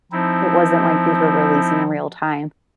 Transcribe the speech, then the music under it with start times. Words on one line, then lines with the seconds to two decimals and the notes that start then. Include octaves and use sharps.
it wasn't like these were releasing in real time.
0.12 F3 C4 D#4 E4